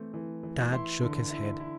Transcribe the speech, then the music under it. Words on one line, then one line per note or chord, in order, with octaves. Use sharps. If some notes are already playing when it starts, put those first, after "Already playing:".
Tad shook his head.
Already playing: E3 A3 C4
E3
E3
E4 C6
D3
E4
E4